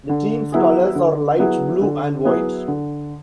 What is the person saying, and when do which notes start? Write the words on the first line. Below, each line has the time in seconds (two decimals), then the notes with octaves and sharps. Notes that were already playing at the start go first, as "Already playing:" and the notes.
The team's colors are light blue and white.
0.09 D3
0.52 F#3 B3 E4 G#4
0.95 D3
1.39 F#3 B3 E4 G#4
1.81 D3
2.24 F#3 B3 E4 G#4
2.68 D3